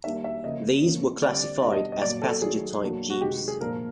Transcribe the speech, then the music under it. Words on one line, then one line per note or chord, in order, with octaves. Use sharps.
These were classified as "passenger-type" jeeps.
D#3 G3 A#3 D4 E5
E5
C#3 F3 A#3 D#5
F3 A#3 C#4
D3 G3 C4 D5
B2 G3 B3 D4 D#5
D#5
D#5
A#2 F#3 A#3 D5
A4
D#3 F#3 A3 G#4
B2 F#3 A#3 D4
F#4
C3 D#3 G#3 G4
G#4
A#2 F3 A#3 D4 A#4